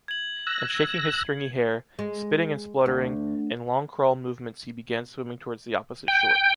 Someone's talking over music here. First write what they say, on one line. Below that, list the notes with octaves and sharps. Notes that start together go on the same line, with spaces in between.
And shaking his stringy hair, spitting and spluttering, in long crawl movements he began swimming towards the opposite shore.
G#6 F#7
E6 F#6 A#6
G#3
D2
G5